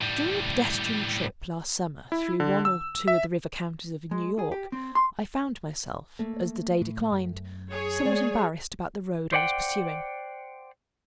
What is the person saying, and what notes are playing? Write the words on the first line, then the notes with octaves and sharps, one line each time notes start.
DURING A pedestrian trip last summer, through one or two of the river counties of New York, I found myself, as the day declined, somewhat embarrassed about the road I was pursuing.
A2 G3
E4
D3
E6
E5
G#3
G#4
G4
C4
C6
A3 A#3
A2
F#2
G#4 C#5
G#3 D5
C5 D5 F#5 G5